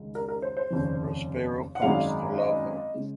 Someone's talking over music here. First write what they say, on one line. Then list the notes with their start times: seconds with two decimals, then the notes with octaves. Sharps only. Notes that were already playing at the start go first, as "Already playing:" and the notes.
Prospero comes to love her.
Already playing: C#2 D#3 G#3
0.15 A#4
0.28 A#4
0.42 C5
0.57 C5
0.71 F1 D#2 C#3
1.75 F#5
1.82 G#1 F#2 D#3 G#3 F5
2.38 D#5
2.94 C#3 G#3